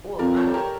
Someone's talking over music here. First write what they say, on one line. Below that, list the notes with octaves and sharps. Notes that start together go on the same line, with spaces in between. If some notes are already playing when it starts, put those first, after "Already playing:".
Well, I don't
F2 A#4 D5
A4 C#5
G4 A#4